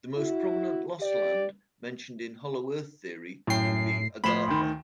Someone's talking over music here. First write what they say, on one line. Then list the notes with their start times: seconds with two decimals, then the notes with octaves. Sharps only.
The most prominent lost land mentioned in Hollow Earth theory would be Agartha.
0.17 E4 F#4
1.01 G4 D5
3.47 F#2 A2 G5 C7
4.24 A2 F3 B5 C6 E7
4.47 D2 D#3